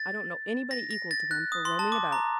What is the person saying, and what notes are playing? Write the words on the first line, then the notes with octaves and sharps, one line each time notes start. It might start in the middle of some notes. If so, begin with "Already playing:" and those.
I don't know anybody equal to them for roaming about.
Already playing: A6
A#6
A#6
A6
F#6
D#6
C6
A5
D6
A#5